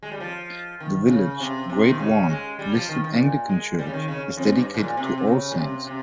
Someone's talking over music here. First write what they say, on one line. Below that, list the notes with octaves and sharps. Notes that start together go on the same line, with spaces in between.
The village Grade One listed Anglican church is dedicated to All Saints.
G#3
G3
F3
D#3
D#3
C#3
C3
C3
D#3
C#3
G#3
G3
F3
D#3
D#3
C3
A#2
G#3
G3
C#3
D#3
C#3
F2
G2
G#2
A#2
C3
C3
C#3
A#2
C3
C3